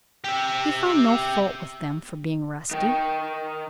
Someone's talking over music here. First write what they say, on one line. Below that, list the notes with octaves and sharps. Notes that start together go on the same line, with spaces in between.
He found no fault with them for being rusty.
G4 E5
D#3 G5